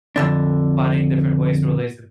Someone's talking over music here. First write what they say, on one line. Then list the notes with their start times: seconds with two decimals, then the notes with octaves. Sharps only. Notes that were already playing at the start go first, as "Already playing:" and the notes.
finding different ways to relate to
0.16 F2 D3 D4